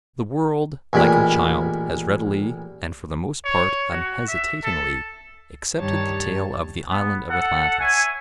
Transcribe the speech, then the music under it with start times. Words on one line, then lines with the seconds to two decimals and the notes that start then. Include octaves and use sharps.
The world, like a child, has readily, and for the most part unhesitatingly, accepted the tale of the Island of Atlantis.
0.93 A1 A#2 G#3 G5 B5
3.45 C#5
3.92 F#4
4.28 E5
4.64 A4
5.78 G2 D#3 G3 C#5 A5 A6
6.90 B3
7.31 A4 F#5
7.80 C#5 E5 G#5